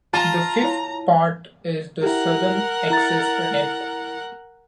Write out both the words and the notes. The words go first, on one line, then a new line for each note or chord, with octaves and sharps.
The fifth part is the southern access ramp.
F4 A5 A#5
E4 C#5
E4 G4 A#4 F#5
E4 A#5 A6